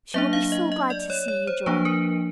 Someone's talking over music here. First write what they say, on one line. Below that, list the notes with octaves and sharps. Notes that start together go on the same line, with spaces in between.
She will be so glad to see you, John!
F#3 A#3 D4 E5
F5
D#5
D#5
D5
C#5
C#5
C5
F3 A#3 D4 B4
A#4